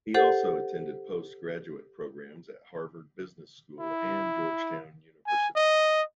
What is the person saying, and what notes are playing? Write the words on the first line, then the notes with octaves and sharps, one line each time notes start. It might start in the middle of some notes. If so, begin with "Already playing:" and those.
He also attended post-graduate programs at Harvard Business School and Georgetown University.
G4 A4 C5 F#5
E4
G#5
D#5